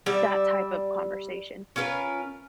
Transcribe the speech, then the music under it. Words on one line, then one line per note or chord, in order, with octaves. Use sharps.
that type of conversation.
G3 D5 E5
C#4 F4 A#4 B4